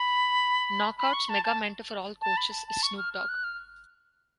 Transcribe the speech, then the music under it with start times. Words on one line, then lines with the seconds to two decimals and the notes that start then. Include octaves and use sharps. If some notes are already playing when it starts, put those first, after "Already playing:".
Knockouts Mega Mentor for all coaches is Snoop Dogg.
Already playing: B5
0.98 B5
1.13 C#6
1.29 A5
1.45 A5
2.21 A5
2.37 B5
2.52 A5
2.68 A5
2.83 C#6
2.98 F6
3.13 F6
3.29 F#6
3.44 F6